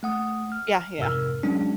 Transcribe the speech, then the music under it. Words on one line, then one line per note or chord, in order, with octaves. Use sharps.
Yeah, yeah.
A3 F#5 D#6
F6
F2 G#2 C3 A#4 E6 F6
F#3 G#3 C#4 D4